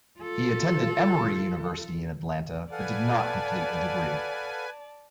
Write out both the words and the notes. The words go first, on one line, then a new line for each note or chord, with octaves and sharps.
He attended Emory University in Atlanta but did not complete a degree.
F4 A4
A4 B4 D5 F5 F#5 G#5 A5